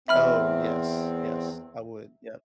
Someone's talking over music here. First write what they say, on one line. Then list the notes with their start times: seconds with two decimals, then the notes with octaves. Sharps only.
Oh, yes, yes, I would, yep.
0.08 E2 C4 E5 B5 F6